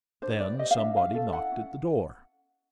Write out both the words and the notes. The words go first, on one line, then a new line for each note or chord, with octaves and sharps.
Then somebody knocked at the door.
D4 C5
B4 D5
G4 D#5
F5
D4 E5
C#4 F5
A4
E4 F#5
C#4